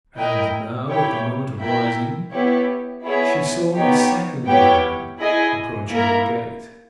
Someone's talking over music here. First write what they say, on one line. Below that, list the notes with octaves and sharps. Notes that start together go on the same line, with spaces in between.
And now, at the moment of rising, she saw a second man approaching the gate.
E4 A#4 D#5 G5
E4 G4 C#5 G5
E4 A#4 E5 G5
B3 E4 G4 C#5
B3 E4 G#4 C#5 E5
B3 D#4 G4 C#5
B3 E4 G4 C#5 G5
E4 G#4 D#5 G#5
A#3 E4 A#4